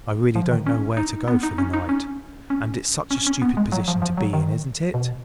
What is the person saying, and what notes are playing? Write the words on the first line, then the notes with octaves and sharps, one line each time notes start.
I really don't know where to go for the night, and it's such a stupid position to be in, isn't it?'
F3
D#3
C#4
D#4
B3
D#4
C#4
D#4
C#4
C#4
C#4
C#4
B3
G#3
F#3
F3
F3
F#3
D#3
B2